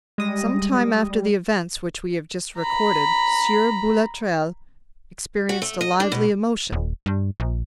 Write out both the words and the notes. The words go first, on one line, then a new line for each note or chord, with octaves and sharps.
Some time after the events which we have just recorded, Sieur Boulatruelle experienced a lively emotion.
G3 G#3 D#6 A#6
A#5 B5
F#4
A3
D#5
D4
B2
D#1
G2
A#1